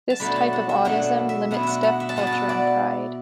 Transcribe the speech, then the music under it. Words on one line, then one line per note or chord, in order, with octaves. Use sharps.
This type of audism limits deaf culture and pride.
A5
B2 F#3 A3 D4 B5
A5
F#5
E5
B2 F#3 A3 D4 F#5
E5
B2 B3 E4 F#5
E5 F#5
F#5
E5
A5
B2 B3 E4 F#5
A5
F#5
D5